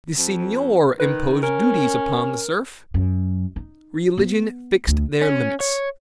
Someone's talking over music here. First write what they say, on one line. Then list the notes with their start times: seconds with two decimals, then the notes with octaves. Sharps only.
The seignior imposed duties upon the serf; religion fixed their limits.
0.18 F2
1.00 D#3 B4
1.43 C#4 A#4
2.94 F#2
3.56 D#4
4.18 B3
4.87 D2
5.22 C#4
5.60 C#5